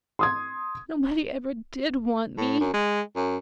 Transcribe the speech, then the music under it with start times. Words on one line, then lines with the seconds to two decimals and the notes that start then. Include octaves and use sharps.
Nobody ever did want me.
0.19 C6 D#6 G#6
2.38 A2
2.61 F#2
2.74 G#3
3.16 F#2